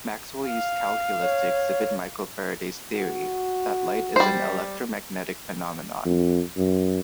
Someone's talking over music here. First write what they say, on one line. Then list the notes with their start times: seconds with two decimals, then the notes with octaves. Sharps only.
Maxwell used calculus to exhibit Michael Faraday's theory, that light is an electromagnetic phenomenon.
0.47 F5
1.22 C#5
2.92 F#4
4.16 G3 C5
6.05 F2
6.56 F#2